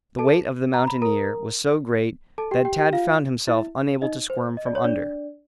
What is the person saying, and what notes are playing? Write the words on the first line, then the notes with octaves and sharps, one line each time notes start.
The weight of the mountaineer was so great that Tad found himself unable to squirm from under.
A4 A5
A#5
B5
A#4 A#5
A4 A5
G4 G5
G4 G5
G4 G5
F4 F5
E4 E5
D#4 D#5
C5
D#5
D5
C#5
D4 D5